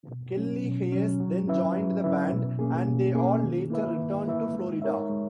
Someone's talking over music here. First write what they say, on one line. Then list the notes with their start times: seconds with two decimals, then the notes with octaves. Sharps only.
Kelly Hayes then joined the band, and they all later returned to Florida.
0.08 B2
0.36 F#3 C#4
0.64 B2
0.92 F#3 C#4
1.20 F#3
1.47 C#4 E4 B4 E5
1.76 F#3
2.04 C#4 E4 B4 E5
2.32 B2
2.59 A#3 C#4 G#4
2.87 B2
3.15 A#3 C#4 G#4
3.43 D#3
3.70 A#3 E4 B4 E5
3.98 D#3
4.26 A#3 E4 B4 E5
4.54 G#3
4.82 D#4 A#4 C#5 E5
5.09 G#3